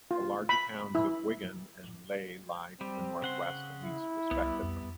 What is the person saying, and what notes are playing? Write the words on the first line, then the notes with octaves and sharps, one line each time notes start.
The larger towns of Wigan and Leigh lie to the northwest and east respectively.
F4
B5
E4
G3 C4
C#3 F#5 C6
E4
C2 G3 B3
F2